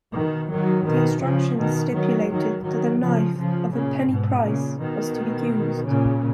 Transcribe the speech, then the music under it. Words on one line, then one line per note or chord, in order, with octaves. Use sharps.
The instructions stipulated that a knife "of a penny price" was to be used.
B2 D#3
D#3 F#3
B2 D#3
C#3 F3
B2 D#3
D#3 F#3
D#3 F#3
D#3 F#3
C#3 F3
C#3 F3
A#2 C#3
G#2 B2
A#2 C#3
B2 D#3
A#2 C#3